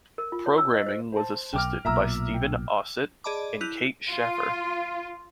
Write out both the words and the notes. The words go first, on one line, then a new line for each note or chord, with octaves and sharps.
Programming was assisted by Steven Osit and Kate Schaffer.
A#4
F4
C#5
E6
D#5
C5
C5 A5
B1 G5 D6 F6
B1 A#2 E5 A#5 E6
G5
G#4 D5 D#5 A5 B5 D6
E4 F#6 G6 D#7 F7
F4